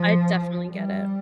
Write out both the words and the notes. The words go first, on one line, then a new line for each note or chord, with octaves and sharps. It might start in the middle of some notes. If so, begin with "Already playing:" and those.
I definitely get it.
Already playing: F3
G3